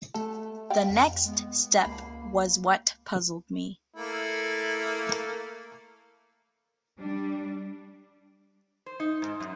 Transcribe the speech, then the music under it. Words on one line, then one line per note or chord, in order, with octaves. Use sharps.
The next step was what puzzled me.
A3 A4
D5 F5 G5
F2
G#3 B3
C#2 A#3 B5 C7
A3 A#3 E4
G3 D4
C5
D#4
G#2
F#2